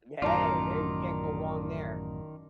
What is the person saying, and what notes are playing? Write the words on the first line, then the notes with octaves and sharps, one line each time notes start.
Hey. There you can't go wrong there.
A1 F#2 D#3 F4 D5 A5 A#5